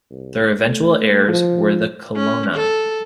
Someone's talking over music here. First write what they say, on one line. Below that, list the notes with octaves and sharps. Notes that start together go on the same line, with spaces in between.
Their eventual heirs were the Colonna.
C2
A3
F3
C#4
A4